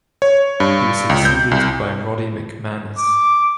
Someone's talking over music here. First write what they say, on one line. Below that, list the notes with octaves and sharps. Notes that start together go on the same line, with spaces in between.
He was succeeded by Roddy McManus.
C#5
G2
C#2
G6
C2
D6